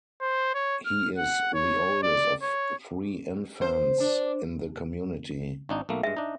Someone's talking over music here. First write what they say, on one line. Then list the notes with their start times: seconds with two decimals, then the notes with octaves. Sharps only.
He is the oldest of three infants in the community.
0.21 C5
0.54 C#5
0.86 F6
1.18 F#5
1.54 C#5
2.03 D5
2.42 C#5
3.62 C5
4.00 D4
5.69 G#1 D4 D#4
5.89 B1 A3 A#3
6.03 G2 G#3 E5
6.17 D4 D#4